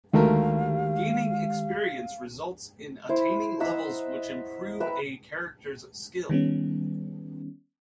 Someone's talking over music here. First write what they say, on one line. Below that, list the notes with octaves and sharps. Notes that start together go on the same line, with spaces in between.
Gaining experience results in attaining levels which improve a character's skill.
D2 D#3 G#3 A3 G4 A#4 F5
E4 C5
D#5 E5 F#5 A#5
B4 E5 G5 A#5
D#3 G3 B3 C#4